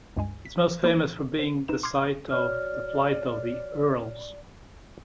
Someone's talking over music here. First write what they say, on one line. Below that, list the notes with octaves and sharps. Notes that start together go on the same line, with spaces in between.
It is most famous for being the site of the Flight of the Earls.
C#2 G2 G#3 G#5
B6
A#3 E4 C#5
C5
D#4 B4 C5 E7
C6 D6 D#6 F6 G#6 C7
F#4 C#5 D5 F6